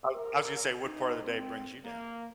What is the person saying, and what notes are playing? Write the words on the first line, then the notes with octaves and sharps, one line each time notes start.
I I was gonna say, what part of the day brings you down?
A#4
D#4
C4
A#3